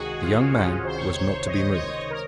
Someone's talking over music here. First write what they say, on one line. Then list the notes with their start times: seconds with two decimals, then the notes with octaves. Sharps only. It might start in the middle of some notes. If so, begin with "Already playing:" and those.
The young man was not to be moved.
Already playing: C#2 C3 D#3 F#4 G#4
0.15 F#4
0.21 F4
0.53 C#4
0.85 C#2 C3 D#3 C5
0.95 C#5
1.05 C5
1.16 C#5
1.48 D#5
1.73 C#5
1.79 D#5
2.10 A#4